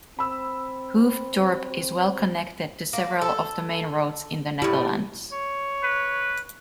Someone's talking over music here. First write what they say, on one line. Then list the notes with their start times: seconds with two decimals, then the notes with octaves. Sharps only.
Hoofddorp is well connected to several of the main roads in the Netherlands.
0.19 C4 B5 E6
2.93 A#3
3.22 A4
4.62 A2 G3 E4 G4
5.32 C#5
5.83 B4